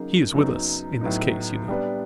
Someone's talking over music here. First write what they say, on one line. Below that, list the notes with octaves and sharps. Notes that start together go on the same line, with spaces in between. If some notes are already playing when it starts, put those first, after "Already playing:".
"He is with us in this case, you know."
Already playing: C#3 F#3 A#3 D#4 G#4
F#2 C#3 F#3 B3 D#4
A2 F#3 B3 D#4
G3 B3 D4